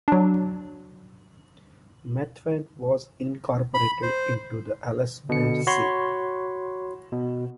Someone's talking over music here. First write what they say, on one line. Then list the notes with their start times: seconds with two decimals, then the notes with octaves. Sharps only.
Methven was incorporated into the Ellesmere seat.
0.08 F#3 D4
3.74 B5
4.02 C5
5.29 B2 D3 C#7
5.67 F#4 C#5 B5 C6
7.12 B2